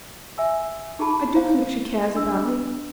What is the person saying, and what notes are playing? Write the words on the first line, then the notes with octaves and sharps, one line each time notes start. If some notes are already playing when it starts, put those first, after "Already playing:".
I do think she cares about me.
E5 G#5 E6
D#4 G4 G#4 A5 B5
E4 C5 F5
D4 D#5 E6